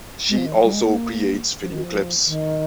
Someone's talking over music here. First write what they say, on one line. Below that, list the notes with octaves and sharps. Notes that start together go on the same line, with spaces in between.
She also creates video clips.
G#3
F3
D#3
F3
G3
G#3
A#3
F3
D#3
F3
D#3